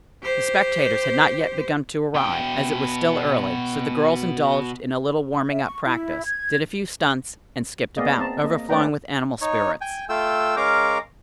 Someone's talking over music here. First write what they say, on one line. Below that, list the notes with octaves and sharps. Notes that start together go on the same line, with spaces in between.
The spectators had not yet begun to arrive, as it was still early, so the girls indulged in a little warming-up practice, did a few stunts and skipped about, overflowing with animal spirits.
G4 C5
B2 G5
E5
C#6
E4
G#6
A#3 B3 G#4 D5 D#5 F5
C4 A5 A#5
A#3 D#5
A3 C#4 B4 D5 G5 A#5
D#4 C#5
G5 G#5
A3 F4 G5 E6
G#3 C#4 A#4 F5 A#5 D6